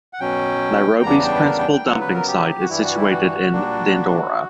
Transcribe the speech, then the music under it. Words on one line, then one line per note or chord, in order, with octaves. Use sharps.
Nairobi's principal dumping site is situated in Dandora.
F#5
B2 F#3 C#4 G5
G5
E2 C#3 G3 B3 D4 A#5
A#5
G5
B4
A#4
G5
G5
C#3 F#3 B3 F#5
B4
A#4
G4
F#4
G2 E3 G3 E4
F#4
E4
F#4
A#2 G3 A#3 D4